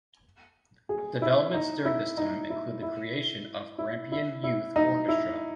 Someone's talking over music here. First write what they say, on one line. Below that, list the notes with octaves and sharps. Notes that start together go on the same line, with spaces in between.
Developments during this time include the creation of Grampian Youth Orchestra.
G#4
E4
D#4
E4
D#4
E4
E4
E4
E4
E4
D#4
E4